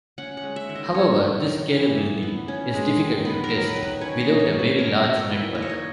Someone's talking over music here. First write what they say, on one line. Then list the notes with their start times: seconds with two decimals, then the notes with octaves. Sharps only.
However, this scalability is difficult to test without a very large network.
0.18 C#4 F#5
0.37 F#5
0.44 G#3
0.56 E5
0.69 D#3
0.75 D#5
0.95 B3 C#5
1.21 F#3
1.46 D#3
1.71 E3
1.97 B3
2.23 B3
2.48 C#4
2.74 G#3
2.99 D#3
3.25 B3 B4
3.44 A#4
3.50 F#3
3.63 B4
3.76 D#3
3.83 B4
4.01 C#4 C#5
4.21 D#5
4.27 A#3
4.39 C#5
4.53 B2
4.59 B4
4.79 C#4 A#4
5.04 A#3 F#4
5.30 D#3 E4
5.55 A#3 D#5
5.62 C#5
5.70 D#5